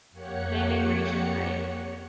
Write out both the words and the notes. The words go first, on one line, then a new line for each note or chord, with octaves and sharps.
They may reach in height.
F2 A#3 G4 C#5 F#5 C#7